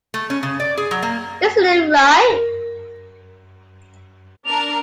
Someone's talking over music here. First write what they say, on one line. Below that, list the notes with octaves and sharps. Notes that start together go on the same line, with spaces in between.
Isn't it right?
A3
C#4
C#3
D5
G#4
F#3
A#3
A#4
D4 A#4 A5 F7